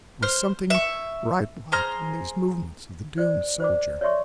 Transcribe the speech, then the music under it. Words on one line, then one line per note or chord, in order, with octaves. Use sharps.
There was something rite-like in these movements of the doomed soldier.
C5 F6
E5 C#6
G#4 C5 A#5 F6
C5 D5
C5 D5 D6
C#5 D5 E5 C6 C#6